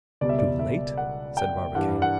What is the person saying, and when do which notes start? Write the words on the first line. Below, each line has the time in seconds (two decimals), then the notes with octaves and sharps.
"Too late?" said Barbicane.
0.21 C#2 B2 G3 D5
0.29 E5
0.39 D5
0.59 E5
0.97 F#5
1.37 G5
1.75 G2 E3 G3 D4 F#5
2.02 F#5